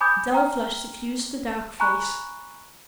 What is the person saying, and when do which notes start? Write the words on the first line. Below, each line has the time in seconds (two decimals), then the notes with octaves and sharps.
A dull flush suffused the dark face.
0.01 G#5 B5 D6 D#6 G6 G#6
0.32 G5 A#5 F6
1.80 G#5 A#5 B5 C#6 F#6